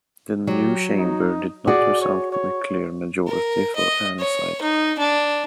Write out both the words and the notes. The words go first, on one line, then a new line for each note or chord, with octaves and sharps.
The new chamber did not result in a clear majority for any side.
F#3 G4
D#4
F#4 G#4 D5
C#5
C#5
A#4
D#5
C#5
D#4
D4